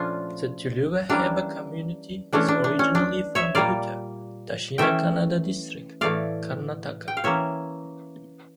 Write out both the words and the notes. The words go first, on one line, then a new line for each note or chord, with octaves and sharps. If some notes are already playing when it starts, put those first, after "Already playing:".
The Tuluva Hebbar community is originally from Puttur, Dakshina Kannada district, Karnataka.
Already playing: A#2 F3 A3 C#4 D4 F4
E3 G3 A#3 C#4 D4
E3 A3 C#4 D4
D4
D4
C#4
D4
C#5 E5
A#2 G3 A#3 D5 F5
E3 A3 C#4 E5 G5
A2 E3 A3 D5 F5
G5
F5
E3 A#3 C#4 C#5 E5